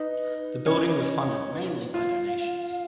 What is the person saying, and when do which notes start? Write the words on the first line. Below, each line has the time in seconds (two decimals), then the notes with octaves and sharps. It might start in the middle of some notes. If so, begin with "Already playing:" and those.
The building was funded mainly by donations.
Already playing: D#4 B4
0.66 C#4 D#5
0.77 C#5
0.87 D#5
1.04 B4
1.09 C#5
1.44 C#5
1.52 B4
1.93 F4 F5